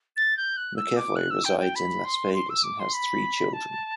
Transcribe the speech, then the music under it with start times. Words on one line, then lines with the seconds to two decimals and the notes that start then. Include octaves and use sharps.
McEvoy resides in Las Vegas and has three children.
0.16 A6
0.37 G6
0.57 F#6
0.76 E6
0.96 D6
1.15 F#6
1.30 E6
1.44 G5
1.59 G5
1.75 B5
2.04 C6
2.34 C6
2.49 E6
2.63 D6
2.79 C6
2.93 B5
3.53 A5